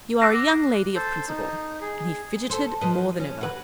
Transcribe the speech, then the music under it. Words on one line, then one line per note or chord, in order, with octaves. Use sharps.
You are a young lady of principle.' And he fidgeted more than ever.
D6 E6 F#6 A#6 C7
A4 C5
D#4
G#4
A4 C5
F3 B4 D#5
C#4
F#4 B4